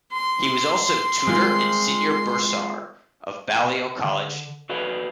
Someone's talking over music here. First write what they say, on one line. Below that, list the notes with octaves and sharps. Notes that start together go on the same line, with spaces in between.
He was also Tutor and Senior Bursar of Balliol College.
C6
G#3 C4 F4
D3
F#4 A4 B4 D5 F5